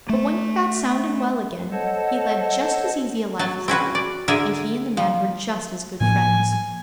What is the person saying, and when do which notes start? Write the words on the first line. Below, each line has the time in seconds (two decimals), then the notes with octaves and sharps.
But when he got sound and well again, he led just as easy a life as ever, and he and the man were just as good friends.
0.09 A3
1.72 A4 C5 C#5 D#5 F#5 A5
3.39 F#3 A5
3.68 C4 C#4 F#4 B4
3.95 D5
4.28 D3 G#4 A#4 D5 E5 G#5
4.97 F3
6.01 A2 F3 A#3 G#5